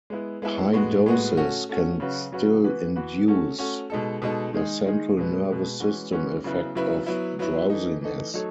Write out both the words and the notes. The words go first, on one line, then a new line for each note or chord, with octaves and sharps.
High doses can still induce the central nervous system effect of drowsiness.
G#3 B3 E4
G#3 B3 E4
A2 G#3 B3 F#4
A2 G#3 B3 F#4
A3 C#4 F#4
A3 C#4 F#4
C#3 F#3 C#4 F#4 B4
C#3 F#3 C#4 F#4 B4
E3 B3 F#4 B4
E3 B3 F#4 B4
A3 C#4 F#4
A3 C#4 F#4
B2 G#3 D#4 A4
B2 G#3 D#4 A4
D#3 G#3 D#4 G#4
D#3 G#3 D#4 G#4
B2 G#3 B3
B2 G#3 B3
E3 G#3 C#4 F#4 B4
E3 G#3 C#4 F#4 B4
C#3 F#3 B3 E4 B4
C#3 F#3 B3 E4 B4
F#3 B3 E4
F#3 B3 E4
E3 A3 D#4
E3 A3 D#4
F#3 A3 D#4 A4 C#5